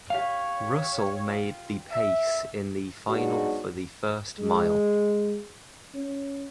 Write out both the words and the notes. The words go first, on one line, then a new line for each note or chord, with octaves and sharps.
Russell made the pace in the final for the first mile.
G4 C#5 F5
F4
E5
F#3 G#3 B3 D4 D#4 F#4
G#3
C#4